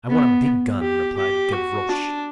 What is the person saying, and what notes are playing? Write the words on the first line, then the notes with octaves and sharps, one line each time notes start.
"I want a big gun," replied Gavroche.
B3
G4
G4
F#4
D4